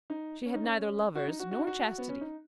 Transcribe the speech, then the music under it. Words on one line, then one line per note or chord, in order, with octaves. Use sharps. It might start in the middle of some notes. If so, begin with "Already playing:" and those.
She had neither lovers nor chastity.
D#4
C#4
D#4
C#4
F#4
D#4
F#4
F#4
D#4
F#4
B3
C#4
D#4